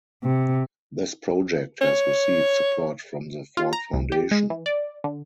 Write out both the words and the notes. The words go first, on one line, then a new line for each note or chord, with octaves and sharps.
This project has received support from the Ford Foundation.
C3
C#5
F4
A#5
C2
G4
G#3
E3
D5
D3